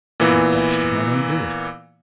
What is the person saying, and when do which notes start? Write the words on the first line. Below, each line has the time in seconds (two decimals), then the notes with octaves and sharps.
'I'm dashed if I don't do it.
0.20 A#2 E3 B3